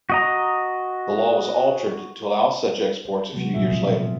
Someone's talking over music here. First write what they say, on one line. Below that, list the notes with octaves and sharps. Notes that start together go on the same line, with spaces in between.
The law was altered to allow such exports a few years later.
F#4 D#5 A#5
C5
C3 E3 F#3 G#3 B3 F#4
A#2 F#3 A3 F4 G#4 E5
B2 D#3 F3 F#3 C4 F4